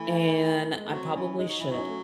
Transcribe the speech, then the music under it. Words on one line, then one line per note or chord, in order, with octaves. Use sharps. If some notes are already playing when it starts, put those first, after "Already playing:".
And I probably should,
Already playing: E3 A3
G#3
A3
F#3 C4
E3 C#4
G#3 D#4
F#3
E3 E4
F#3 D#4
C#4
A3